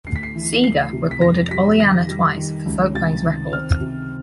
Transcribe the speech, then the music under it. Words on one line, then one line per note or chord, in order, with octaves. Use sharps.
Seeger recorded Oleanna twice for Folkways Records.
D2 C7
B6
C7
E3
D2 C7
C3
B6
F2 A#6
G3 B6
D#3 A#6
G3
D#3
C#2
C3 A6
D#3
C4 F6
C3